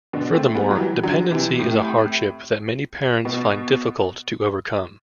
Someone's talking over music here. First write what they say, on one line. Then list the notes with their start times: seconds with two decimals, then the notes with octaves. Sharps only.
Furthermore, dependency is a hardship that many parents find difficult to overcome.
0.13 B2 D3
0.34 A3 C4
0.55 G3 B3
0.71 F#3
0.75 E3 G3
1.03 D3 F#3
1.31 C3 E3
1.59 A2 C3
3.25 B2